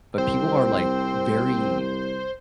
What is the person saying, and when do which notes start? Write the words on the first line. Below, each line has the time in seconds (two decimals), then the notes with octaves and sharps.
but people are, like, very,
0.18 C2 C4 C5